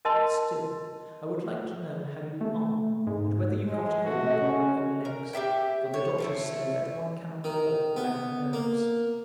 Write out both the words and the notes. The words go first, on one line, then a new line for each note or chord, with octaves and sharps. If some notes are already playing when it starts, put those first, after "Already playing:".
Still, I would like to know how you are and whether you got home upon your own legs, for the doctors say that one cannot walk without nerves!
A#4 D#5 A5 C6
A3
G#2
G#3 D#5
A3 F#4
C#4
A#4
G4 G#4 E5 G5
C#5
F3 A3 E4
D#3
B3
A#3